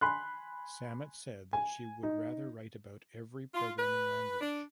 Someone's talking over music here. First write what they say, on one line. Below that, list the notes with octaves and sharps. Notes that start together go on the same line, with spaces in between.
Sammet said that she would rather write about every programming language.
G#5 B5 C6 F#6
G#5
D#4
F4
B4
D4